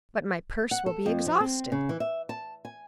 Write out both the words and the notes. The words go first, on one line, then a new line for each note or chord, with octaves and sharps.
"But my purse will be exhausted."
F#5
A4
F2
F3
C4
C#3
E3
E5
A5
G#5